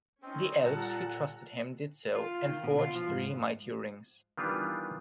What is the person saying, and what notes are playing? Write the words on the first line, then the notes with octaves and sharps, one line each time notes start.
The Elves, who trusted him, did so, and forged three mighty rings.
C4 C#4 D#4
A#2 G3 A4 F#5 A5 A#5
F4
D#3
B2
F4
F3
G#2
D#3 E3 G3 B3 D4 F4